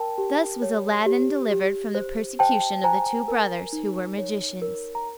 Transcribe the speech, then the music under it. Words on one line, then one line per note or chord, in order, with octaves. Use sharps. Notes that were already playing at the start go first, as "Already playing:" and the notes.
Thus was Aladdin delivered from the persecution of the two brothers, who were magicians.
Already playing: A#4 G5 A5
G4
C#5
G4
G4
C5
C5 G5 A5
C5 G#5 A#5
A#4
D#4
C#5
A#4
A#5